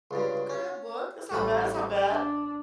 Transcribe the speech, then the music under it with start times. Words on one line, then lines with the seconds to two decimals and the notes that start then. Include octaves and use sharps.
Okay, a book, that's not bad, that's not bad.
0.11 C#2 G2 C#3
0.49 C#4
1.32 A1 G3 A3 D#5 B5
2.10 D4